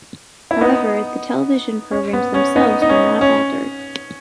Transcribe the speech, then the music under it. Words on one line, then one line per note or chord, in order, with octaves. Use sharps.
However, the television programs themselves were not altered.
E4
B3 D#4
C#4
B3
C#4
B3 D#4
D#4
C#4
C#4